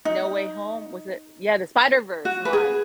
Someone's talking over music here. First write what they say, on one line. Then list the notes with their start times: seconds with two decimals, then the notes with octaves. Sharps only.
No Way Home, was it yeah, the Spider-Verse one.
0.05 D#4
2.25 F#4
2.45 B4
2.53 G#4